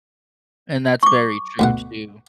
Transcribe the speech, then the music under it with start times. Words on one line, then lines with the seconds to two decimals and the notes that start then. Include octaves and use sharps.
And that's very true too.
1.03 C#6 D6
1.59 D2 B2 F#5